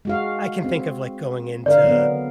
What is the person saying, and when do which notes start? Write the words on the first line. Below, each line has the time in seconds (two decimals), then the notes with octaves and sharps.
I can think of, like, going into
0.05 G#3 F#4 F5
0.64 C4
1.66 D3 A#4 D5 F5
1.84 F#3 B3